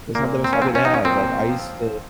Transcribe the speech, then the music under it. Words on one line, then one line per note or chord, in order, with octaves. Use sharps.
that's not the best hobby to have. Like, I used to
A#2 A#3
C4
C#4
F3 C4
C#4
D#4
C#4
A#2 C4
F3